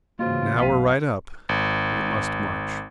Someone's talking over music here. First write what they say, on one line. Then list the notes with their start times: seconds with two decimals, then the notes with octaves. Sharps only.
Now we are right up, we must march.
0.19 G#2 C#3 E3 A#3 F4 F#4 C5
0.58 B1 F#2 F5 B6 D#7
1.49 G#1